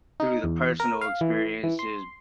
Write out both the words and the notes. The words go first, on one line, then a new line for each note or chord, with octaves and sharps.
through the personal experiences,
D#4
E2
A#4
F5
E3
E3
C6